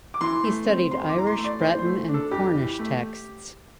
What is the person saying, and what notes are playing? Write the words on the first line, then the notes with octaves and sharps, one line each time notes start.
He studied Irish, Breton and Cornish texts.
D6
E3 C6
A3
C4
F2 C6
D6
E3 A#5
C6
A3
D5
E3 C5
C5
A3
D4
A4
F2 G4
E3
A3